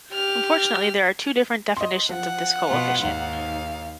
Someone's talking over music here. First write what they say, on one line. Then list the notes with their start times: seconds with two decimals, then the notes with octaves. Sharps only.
Unfortunately there are two different definitions of this coefficient.
0.13 G4 F6
1.77 D#5 C6
2.09 F3 F#5
2.66 B2 F4
3.02 D#2 G#2 F5